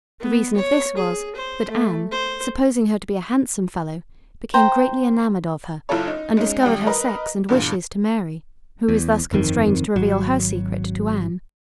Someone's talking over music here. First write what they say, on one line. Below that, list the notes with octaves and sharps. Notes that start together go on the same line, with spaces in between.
The reason of this was, that Anne, supposing her to be a handsome fellow, became greatly enamored of her, and discovered her sex and wishes to Mary, who was thus constrained to reveal her secret to Anne.
B3
C#5
G#4
C5
A3
C5
C5 G5 A#5
F#1 E4 F4 A4 C#5
D#4
G#3 C#4 D#4
G#1 G3 F#5 G5
A#4 B4 D#5
E2 G2 A#2
E2
G1 F2 D#3 C4
G#1 F#3